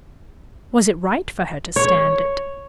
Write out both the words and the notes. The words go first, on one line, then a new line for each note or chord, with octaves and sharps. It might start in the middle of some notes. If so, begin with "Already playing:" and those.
Was it right for her to stand it?
C#5